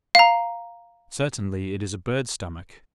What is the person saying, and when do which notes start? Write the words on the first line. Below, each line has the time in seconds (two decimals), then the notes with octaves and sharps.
Certainly it is a bird's stomach.
0.15 F5 A#5